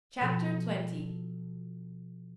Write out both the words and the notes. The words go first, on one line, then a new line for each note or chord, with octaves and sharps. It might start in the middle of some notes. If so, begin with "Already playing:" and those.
Chapter XX.
B2 F3 A4